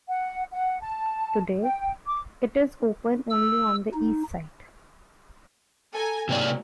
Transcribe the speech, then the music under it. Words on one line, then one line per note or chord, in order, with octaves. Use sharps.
Today, it is open only on the east side.
F#5
F#5
A5
G5
D6
E6
D#4
A4 G#5 A#5
G#2 C3 F#3 A#3 D5